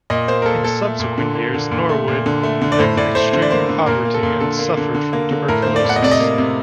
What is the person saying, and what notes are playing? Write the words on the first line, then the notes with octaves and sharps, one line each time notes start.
In subsequent years, Norwid lived in extreme poverty and suffered from tuberculosis.
A#2 D#5
A#3 C5
A#4
A#2 A4
A#2 A4
A3
A#2
D3
A#3
D3
A#2
A3
A#2
D3
A3
D3
D5
A2 C5
A2 D5
A3 C5
D3 C5
D5
A#3 C5
D3
A#2 A#4
A#3
A4
A#2
D3 A4
A#3
D3
D3
A#3
D3
A2 A#4
A#3 C5
D5
A2 F#5
D#5
C3 D5
D#5
A#3
C3